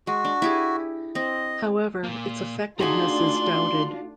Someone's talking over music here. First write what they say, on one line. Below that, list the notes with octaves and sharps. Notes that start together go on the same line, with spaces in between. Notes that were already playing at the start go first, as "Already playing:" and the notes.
However, its effectiveness is doubted.
G#3 F#4
D4
E4 G4 G#4
C4 D#5
A#2 A#3
A3 D4 D#4 F4 F#4 G#4 A#5 C6